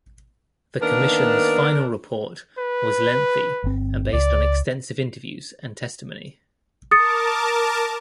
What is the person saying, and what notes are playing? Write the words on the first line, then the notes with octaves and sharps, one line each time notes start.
The commission's final report was lengthy and based on extensive interviews and testimony.
D#3 A#3 B3 D4 A#4
B4
G1 C4
C#2 D5
A#4 A5 D6 D#6 A6 C#7